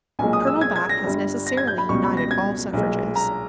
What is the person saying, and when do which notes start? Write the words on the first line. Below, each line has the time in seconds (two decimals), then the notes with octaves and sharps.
Colonel Bath has necessarily united all suffrages.
0.19 B1 A#2 G#3 G#5
0.33 D#6
0.47 E6
0.61 G#6
0.76 G#6
0.89 A#6
1.04 G1 G2 G3
1.47 A#6
1.57 G#6
1.67 G6
1.78 B5
1.89 C#2 B2 G3 C#6
2.03 B5
2.17 A#6
2.31 G#6
2.73 B1 A#2 G#3
3.16 A#5